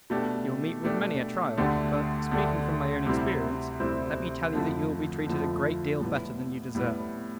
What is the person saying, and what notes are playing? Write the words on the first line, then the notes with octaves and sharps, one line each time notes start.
You will meet with many a trial; but, speaking from my own experience, let me tell you that you will be treated a great deal better than you deserve.
B2 A3 D4 G4
B2 A3 D4 G4
D2 D3 A3 D4 G4
D2 D3 A3 D4 G4
D2 C3 G3 C4 E4
D2 C3 G3 C4 E4
F2 D3 F3 A3 E4
F2 D3 F3 A3 E4
A2 G3 B3 E4
A2 G3 B3 E4